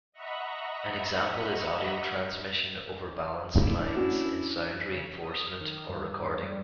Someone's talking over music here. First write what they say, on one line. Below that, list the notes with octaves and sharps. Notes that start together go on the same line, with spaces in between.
An example is audio transmission over balanced lines in sound reinforcement or recording.
D#5 E5 F#5 A#5 B5 C#6
D4 E4
C#4 F#4
C#3
B6
D#6
F6
D#3
G2
G2
G3